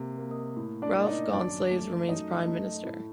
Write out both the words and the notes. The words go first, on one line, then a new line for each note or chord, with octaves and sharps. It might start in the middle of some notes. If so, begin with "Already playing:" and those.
Ralph Gonsalves remains Prime Minister.
Already playing: C3 A#3
A#3
A2
D4 D5
A#3
D#4 D#5
F#2 D4 D5
A3
F#2 D#4 D#5
A3
A2